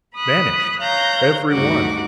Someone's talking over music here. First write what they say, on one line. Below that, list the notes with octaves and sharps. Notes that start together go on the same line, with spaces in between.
Vanished, every one!
B5 D#6 F#6
C#5 F5 A#5 F#6 G6 A#6
D2 G2 D#4 F#4 F#5 D6